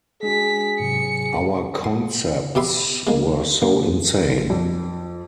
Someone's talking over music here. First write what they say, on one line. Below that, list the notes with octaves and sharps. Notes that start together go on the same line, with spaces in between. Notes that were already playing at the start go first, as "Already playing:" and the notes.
Our concepts were so insane.
G#3 D4 F#4 G#4 B6
G#2 C3 F#3 C#7
C6
B2 G4 E5 B5 C6
G#3 A#3
A#3
F2